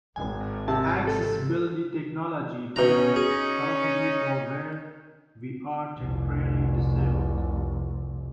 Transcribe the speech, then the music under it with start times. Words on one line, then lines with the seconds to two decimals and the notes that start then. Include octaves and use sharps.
Accessibility technology benefits healthy people, where we are temporarily disabled.
0.16 G#1 G#5
0.68 C3 A5
1.07 A4
2.76 B2 C#4 D#4 A#5
3.16 G#4
5.98 F1 C2